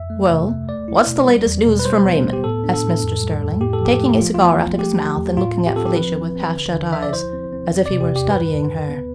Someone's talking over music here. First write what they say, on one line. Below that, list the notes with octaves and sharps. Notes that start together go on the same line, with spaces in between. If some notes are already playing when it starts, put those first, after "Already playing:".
"Well, what's the latest news from Raymond?" asked Mr. Sterling, taking his cigar out of his mouth and looking at Felicia with half-shut eyes, as if he were studying her.
Already playing: F2 E5
A3
C3
A3
A3 D5
E4
B2
G3
E2
B2
B4
G3 C5
B3
B3
G4
A2 A4
D4
A4
A2
F2
G3
F2
A2 G4
A4
F3 G4
A3
F3 F4
B3 F4
F3
A3 G4
F3
E2
A2 F4
C4
G4
C4 A4
G4
F3 B4
C4
C4
D3
D3
F3 E5
D5
E4 C5
C4
C4
E2
C3 D5
G4
E2 G4
G2 B4
D3
D3
B3